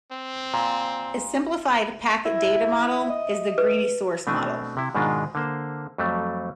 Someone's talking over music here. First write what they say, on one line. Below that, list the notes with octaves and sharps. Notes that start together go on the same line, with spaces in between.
A simplified packet data model is the greedy source model.
C4
A#2
E4 E5
D#5
B4
B2 A3 C4 D4 G#5
C3 E4
G#2 B2 D#3 G#3 D4 F4
D3 A#3 C5
F2 F#3 G3 A3